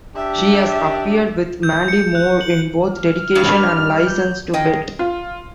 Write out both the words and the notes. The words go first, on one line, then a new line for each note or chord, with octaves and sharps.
She has appeared with Mandy Moore in both "Dedication" and "License to Wed".
D4 G4 E5
G6
C#7
F#6
F#7
F6
G2 G3
G6
D#3 G#4 D#5 G5
F4